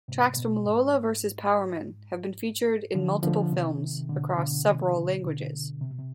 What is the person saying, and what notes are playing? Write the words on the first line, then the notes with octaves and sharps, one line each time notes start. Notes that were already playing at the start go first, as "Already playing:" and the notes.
Tracks from "Lola Versus Powerman" have been featured in multiple films across several languages.
G#2 C3
B2
G#2
D3 F3
D3 F3
C3 D#3
B2 D3
B2 D3
C3 D#3
B2 D3
B2 D3
C3
B2
C3